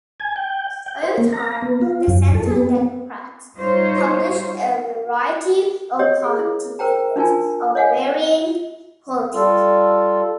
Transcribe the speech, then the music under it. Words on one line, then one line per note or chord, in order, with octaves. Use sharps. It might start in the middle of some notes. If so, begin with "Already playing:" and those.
Over time the Centre Democrats published a variety of party papers of varying quality.
G#5
G5
G5
C5
A#3
A#5
B3
F4
F#2
A4
B3
G3 D#4 F4 C5 C#5
G4 C#5 D#5
G#4
E4
A#4 C5 G5 A#5
D4 D#4 F4 A#4 G#5
C#5 D#5 F5 F#5 G#5
G3 F4 A4